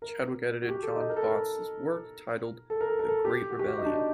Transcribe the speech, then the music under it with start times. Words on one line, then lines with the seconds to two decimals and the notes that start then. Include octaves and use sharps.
Chadwick edited John Botts' work titled "The Great Rebellion".
0.02 A#4
0.62 F#4
0.69 G4
0.83 A4
0.96 D#4
1.10 A#4
1.16 A4
1.23 A#4
2.70 A4
2.81 A#4
2.90 A4
2.99 A#4
3.08 A4
3.25 G4
3.50 F#4
3.59 G4
3.67 F#4
3.78 D#4
3.85 D4
3.95 D#4